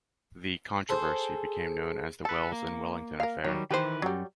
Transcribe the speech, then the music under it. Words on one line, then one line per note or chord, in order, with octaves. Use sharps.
The controversy became known as the Wells and Wellington affair.
G#4 A4 C5
A4 B4 A5
A#3
A#4 F5
D#3 F#3 G3 C#5
D#3 E3 G4 B4 C5
F#2 F#3 G3